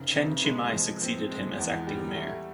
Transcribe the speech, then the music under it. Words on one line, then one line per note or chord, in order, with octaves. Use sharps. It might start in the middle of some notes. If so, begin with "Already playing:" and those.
Chen Chi-mai succeeded him as acting mayor.
Already playing: F1 C#3
C3
G#3
F3
C4
G#3
E2
G3
A3